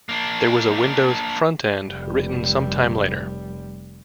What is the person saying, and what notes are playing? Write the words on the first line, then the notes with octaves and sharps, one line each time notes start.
There was a windows front-end written sometime later.
A#3 D4
F1 G3